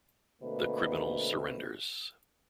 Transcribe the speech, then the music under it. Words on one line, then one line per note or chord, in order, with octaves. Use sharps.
The criminal surrenders.
B2 D3 A3 A#3 C4 B4